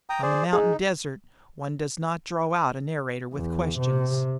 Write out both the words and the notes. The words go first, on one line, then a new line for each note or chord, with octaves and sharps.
On the mountain desert one does not draw out a narrator with questions.
G5 A#5 D#6
G#4 C5 D5
D#4 G#4
E2
C3